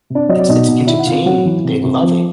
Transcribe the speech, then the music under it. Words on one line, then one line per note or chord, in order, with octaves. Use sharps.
It's it's entertaining that they love it.
C3
D4 D5
F#3 D#5
D5
B2 D#4 D#5
B2
D#3 E4 E5
F#5
C3 F4 F5
F#3 F#4 F#5
E3
C3
C3
F3